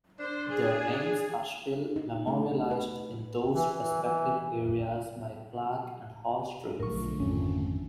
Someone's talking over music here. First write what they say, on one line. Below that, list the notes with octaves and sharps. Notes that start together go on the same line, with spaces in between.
Their names are still memorialized in those respective areas by Clark and Hall Streets.
D4 C5
G#4
D#4
A3
B4
E3
E3
E3
B1 A2 D3 F3 A3 A#4 C#6
G#1 F2 C#4